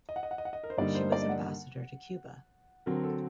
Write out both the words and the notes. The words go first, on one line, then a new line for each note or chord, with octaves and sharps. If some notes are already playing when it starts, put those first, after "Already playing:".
She was ambassador to Cuba.
D#5
F#5
D#5
F#5
D#5
F#5
D#5
A#4
C5
G2 D3 G3 A#3 D#4 D5
C5
D5
D#5
F#5
D3 F#3 C4 A#4
A4